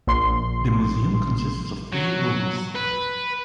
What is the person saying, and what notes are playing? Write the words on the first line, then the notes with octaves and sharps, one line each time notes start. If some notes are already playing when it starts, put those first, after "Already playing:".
The museum consists of three rooms.
A#1 C6
F#3
B4